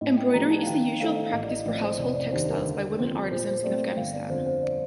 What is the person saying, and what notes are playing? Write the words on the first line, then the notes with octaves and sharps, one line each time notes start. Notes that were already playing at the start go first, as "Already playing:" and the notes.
Embroidery is the usual practice for household textiles by women artisans in Afghanistan.
A2 D#5
G5
F3 A3 D4 G4 A#5
A5
F5
D#3 G5
G5
A3 D4 A4 C5 F5
D#5
F5
A1 D#5
D5
D#5
A2 F3 C4 F4 D5
C5
F1 D5
D5
D#2 D#3 G3 D4 C5
A#4
D3
F3 C4
A#2 C5
C5
A3 C4 D5
C5
G5
G1 F5
D5
F2 D3 C5
C5
D5